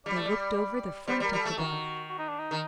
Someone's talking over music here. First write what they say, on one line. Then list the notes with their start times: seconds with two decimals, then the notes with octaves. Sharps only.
They looked over the front of the box.
0.06 G3 D5
0.16 A3
0.25 G3
1.07 G3 C5
1.20 G3
1.24 A#4
1.33 G3
1.41 A3 A4
1.58 D#3 F#4
2.09 F#4
2.19 D#4
2.29 D4
2.39 D#4
2.51 D#3